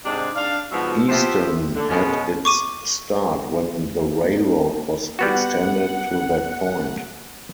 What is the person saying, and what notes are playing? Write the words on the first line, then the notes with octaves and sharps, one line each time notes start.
Easton had its start when the railroad was extended to that point.
G#2 C3 G#3 D4
D4 F5
G#2 B2 F3 B3 F#4 E5
F3 B3 E4 G4 C5
D3
B2 G#3 C#4
C#6 D6 D#7
G3 B3 F#4 F#5